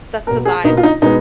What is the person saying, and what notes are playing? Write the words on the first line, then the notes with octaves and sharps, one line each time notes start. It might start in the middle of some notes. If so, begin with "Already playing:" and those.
That's the vibe.
B2 A#3 A#4
G#4
B2 A#3 D#4
F4
D#4
B2 G#3 B3 D#4